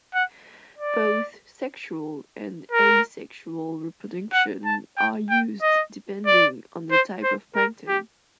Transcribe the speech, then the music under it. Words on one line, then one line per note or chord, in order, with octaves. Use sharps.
Both sexual and asexual reproduction are used depending on the type of plankton.
F#5
D5
A#4
F#5
A5
G5
G5
D#5
D5
C5
C5
A#4
G4